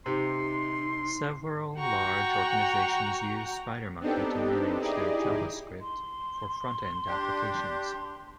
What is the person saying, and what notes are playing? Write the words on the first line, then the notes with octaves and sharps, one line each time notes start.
Several large organizations use SpiderMonkey to manage their JavaScript for front-end applications.
C3 D#4 G4 C6
F#4 F#5 G5 A#5 C#6
B3 C4 D4 D#4 G4 A4
D#4 E4 G4 G#4 D5 D#5
C6
D4 G4